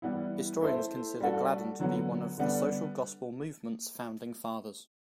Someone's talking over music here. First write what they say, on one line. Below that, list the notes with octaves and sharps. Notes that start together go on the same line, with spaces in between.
Historians consider Gladden to be one of the Social Gospel Movement's founding fathers.
E3 G3 B3 E4
A3 E4 A4 C5 E5
G3 D4 F#4 A4
D3 F#3 B3
D3 G3 B3 D4